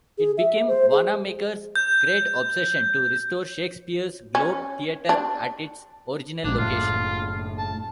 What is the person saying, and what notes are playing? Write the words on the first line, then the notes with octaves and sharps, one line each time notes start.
It became Wanamaker's "great obsession" to restore Shakespeare's Globe Theatre at its original location.
G#4
E5
C5
G#4
G6
C#4
D4
A#1 G#2 D4
F#1 A2 F4
A5